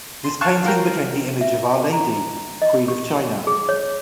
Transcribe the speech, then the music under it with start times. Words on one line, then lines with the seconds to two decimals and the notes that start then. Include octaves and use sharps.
This painting became the image of Our Lady, Queen of China.
0.24 C6
0.41 F5 A5 C#6 F6 F#6
0.64 F4 F#4 A#4 G5
1.41 E5
1.93 A#5
2.62 D#5
2.88 G4
3.47 G#4
3.69 C#5